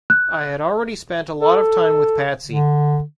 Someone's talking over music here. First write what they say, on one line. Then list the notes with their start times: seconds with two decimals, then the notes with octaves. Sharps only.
I had already spent a lot of time with Patsy.
0.10 F#6
1.39 A4
2.47 D3